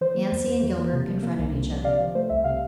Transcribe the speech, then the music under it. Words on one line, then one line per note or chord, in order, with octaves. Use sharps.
Nancy and Gilbert confronted each other.
E3 C5
A#3
E2
E2
E3
A#3
C3
F3
A#3
C2
C3
F3
C3 D5 F5
F3
A3 C5
C2 E5
C3 F5